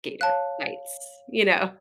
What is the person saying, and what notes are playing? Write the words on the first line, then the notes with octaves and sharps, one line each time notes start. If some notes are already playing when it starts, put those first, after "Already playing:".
gator bites, you know?
C#5 F5 A5 F#6